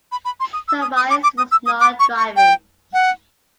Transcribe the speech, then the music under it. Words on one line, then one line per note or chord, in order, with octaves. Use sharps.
Tobias was not driving.
B5
B5
C6
D#6
E6
D#6
D#6
D6
D6
D#6
E6
D#6
D6
C#6
C#6
G5
F#5